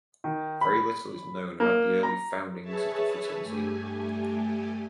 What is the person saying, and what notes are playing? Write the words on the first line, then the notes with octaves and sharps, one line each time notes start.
Very little is known about the early foundings of the fraternity.
D#3
B5
A#3
A#5
G#4 B4 C#5 E5 A5
G2 A3 G4 G#5